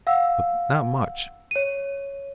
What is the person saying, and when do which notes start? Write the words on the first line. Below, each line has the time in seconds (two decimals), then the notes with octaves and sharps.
But not much.
0.07 F5 F#5 E6
1.51 C#5 D#7